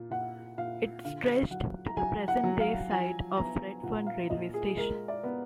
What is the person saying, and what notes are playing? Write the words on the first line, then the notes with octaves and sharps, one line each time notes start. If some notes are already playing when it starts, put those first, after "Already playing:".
It stretched to the present day site of Redfern railway station.
Already playing: A#2
A#2 F#5
A#2 F5
D3 F5
F#3 F#5
A#5
F#3 G#5
F#5
F#3
F5
F3 G#5
B3 A#5
A#2 F#5
F5
A#2 D#5
G#4
G#3 A#4
D5
B3